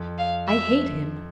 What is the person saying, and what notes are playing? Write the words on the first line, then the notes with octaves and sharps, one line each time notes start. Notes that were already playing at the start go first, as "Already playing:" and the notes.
"I hate him!"
Already playing: F2
F5
E5